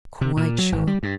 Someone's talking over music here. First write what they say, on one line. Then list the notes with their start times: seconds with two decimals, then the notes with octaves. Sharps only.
"Quite sure."
0.21 C3
0.37 A#2
0.58 F#3
0.72 G#1
0.87 G3
1.03 G2